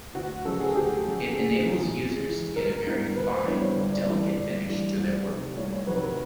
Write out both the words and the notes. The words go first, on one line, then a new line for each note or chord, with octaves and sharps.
It enables users to get a very fine, delicate finish to their work.
D2 F#4
C#3 F#3 A3 A4
G#4
D2 G4
C#3 F#3 A3
C#3 G#4
E3 G#3
C#3
E3 G#3
D2 A#4
D3 G3 B3 E4
D2 B4
C5
D3 G3 B3 E4 C#5
C#5
G1 C#5
D5
G2 E3 C#5
G1 D5
G2 E3
C2
C3 D#3 F#3 A3
C2 C#5
C#5
C3 D#3 F#3 A3 B4
A#4